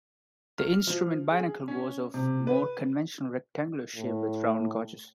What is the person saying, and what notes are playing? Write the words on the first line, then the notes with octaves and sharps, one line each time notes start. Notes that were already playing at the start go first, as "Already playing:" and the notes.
The instrument binnacle was of a more conventional rectangular shape, with round gauges.
F6
F3
G#4
C#4
C3
B4
A2